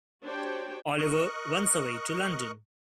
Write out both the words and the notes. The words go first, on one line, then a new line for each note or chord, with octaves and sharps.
Oliver runs away to London.
D4 F#4 G4 C5 C#5 G5
A#4 D#5 C#6 F#6